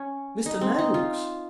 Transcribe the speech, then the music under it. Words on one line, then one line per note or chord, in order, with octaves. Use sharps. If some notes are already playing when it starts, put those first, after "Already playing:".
Mr. Noaks!
Already playing: C#4
D#4
C4
D#4
F4